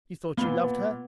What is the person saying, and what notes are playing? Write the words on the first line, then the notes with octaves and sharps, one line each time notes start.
You thought you loved her!
A#2 B3 B5 G7